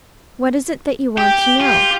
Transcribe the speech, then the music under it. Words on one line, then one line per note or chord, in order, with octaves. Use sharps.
What is it that you want to know?
G4 G5
F4 G4 G6